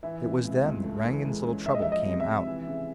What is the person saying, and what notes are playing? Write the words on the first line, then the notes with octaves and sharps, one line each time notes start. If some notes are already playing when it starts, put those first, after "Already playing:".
It was then that Rangon's little trouble came out....
E3 E5
C3
C#2
C#2
A3
E3
G#2
C#4
G#3 E5
D#5
F3 E5
D#5
C3
E5
C3
E3
C#3